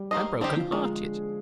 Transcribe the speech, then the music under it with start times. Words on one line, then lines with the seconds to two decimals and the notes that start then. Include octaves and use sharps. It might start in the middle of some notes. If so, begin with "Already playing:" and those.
I am broken-hearted.
Already playing: G3 G4
0.11 D#3 A#3 F4 C5 D#5
0.41 D3 G3 C4 D4 D#4 G4 C5
0.56 F3 F4
0.72 D#3 G#3 G#4